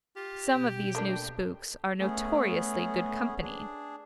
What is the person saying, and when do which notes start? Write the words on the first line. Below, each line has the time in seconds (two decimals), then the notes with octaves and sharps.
Some of these new spooks are notoriously good company.
0.16 F4 G4
0.51 B2 G5
0.95 A3 A#3 D4
2.00 A3 B3 C#4 G#4
3.42 D4 G#4